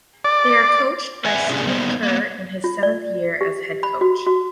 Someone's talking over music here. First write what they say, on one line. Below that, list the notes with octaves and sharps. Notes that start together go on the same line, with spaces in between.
They are coached by Steve Kerr in his seventh year as head coach.
D5
C4 B4 D5 E5 F#5 G#5
A2 C3 C#4 D4 F4 G#4
G3 A#3 B3 D#4 C5 D5
A#3 B3
F4
D5
G4
B5
F#4
F#4